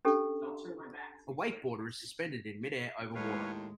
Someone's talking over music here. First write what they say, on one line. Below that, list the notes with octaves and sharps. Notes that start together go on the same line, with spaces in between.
A wakeboarder is suspended in midair over water.
C#4 D4 G4 A4
D#2 A2 G#3 B4 C#5 F5